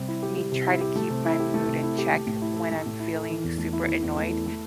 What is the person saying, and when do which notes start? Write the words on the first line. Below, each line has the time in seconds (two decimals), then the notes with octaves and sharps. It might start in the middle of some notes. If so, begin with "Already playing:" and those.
me try to keep my mood in check when I'm feeling super annoyed,
Already playing: C3 G3
0.08 E4
0.23 G4
0.37 G3
0.52 C3
0.67 E4
0.81 G4
0.96 A3
1.10 C3
1.25 E4
1.40 G4
1.54 A3
1.68 C3
1.83 E4
1.98 G4
2.13 A3
2.27 A2
2.42 E4
2.57 A4
2.71 A3
2.86 A2
3.00 E4
3.15 A4
3.29 E3
3.44 E2
3.58 A3
3.73 E4
3.87 E3
4.03 E2
4.17 A3
4.31 E4
4.46 A3